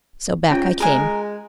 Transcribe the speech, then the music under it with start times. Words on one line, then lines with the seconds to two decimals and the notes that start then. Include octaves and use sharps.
So back I came.
0.51 G#2 C#4 F4 C#5 G5
0.80 G#3 A#4 G#5 A#5 F#6